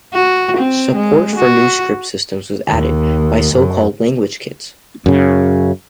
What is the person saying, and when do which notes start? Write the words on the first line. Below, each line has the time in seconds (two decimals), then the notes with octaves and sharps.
Support for new script systems was added by so-called Language Kits.
0.14 F#4
0.57 C4
0.96 G#3
1.36 F#4
2.68 D#2
3.53 F#2
5.06 F#2 C#3